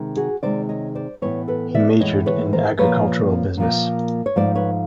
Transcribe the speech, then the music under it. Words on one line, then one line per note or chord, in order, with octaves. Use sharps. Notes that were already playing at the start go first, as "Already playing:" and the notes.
He majored in agricultural business.
Already playing: C3 D#3 G#3
F#4 G#4
C3 D#3 G#3 C5 D5
C#5 D#5
C5 D5
A2 E3 G#3 B3 B4 C#5
A4 B4
D5 E5
A2 E3 G#3 B3 C#5 D#5
B4 C#5
A#4 C5
A#2 F3 A#3 B4 C#5
A#2 F3 A#3
C#5
G#2 F3 A3 C5 D5
B4 C#5